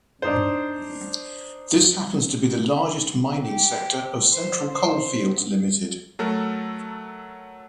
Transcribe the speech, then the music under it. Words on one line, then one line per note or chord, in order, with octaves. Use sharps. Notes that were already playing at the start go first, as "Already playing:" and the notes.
This happens to be the largest mining sector of Central Coalfields Limited.
D4 D#4 C5
G4
C5
C5
F#3 A3 A4 A#4